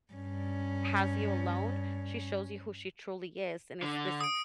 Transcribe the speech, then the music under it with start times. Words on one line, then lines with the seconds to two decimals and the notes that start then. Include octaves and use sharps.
has you alone, she shows you who she truly is, and it's this
0.13 G2 C#4
3.82 D3
4.21 D#6 D7